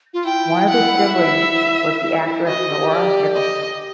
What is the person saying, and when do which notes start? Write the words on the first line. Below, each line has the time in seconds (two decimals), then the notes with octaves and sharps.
One of his siblings was the actress Nora Nicholson.
0.14 F4
0.25 E4 G5
0.69 F#5
1.14 E5
2.02 E4
2.25 E4
2.47 F#4 D#5
2.58 F#4
2.69 G4
2.80 G4
2.91 D5
3.35 D#5